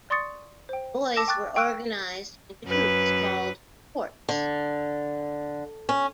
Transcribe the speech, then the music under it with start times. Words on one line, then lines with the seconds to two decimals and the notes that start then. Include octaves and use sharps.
Boys were organized into groups called forts.
0.10 D5 C6 C#6 D#6 A6 C#7
0.69 C5 G5
1.16 A5 D6 E6 A#6 E7
1.28 G5 C#6 D6 F#6 A6
1.56 G5 C#6 E6 F#6 D7 D#7
2.66 F#2 B4
4.29 D3
5.89 C#4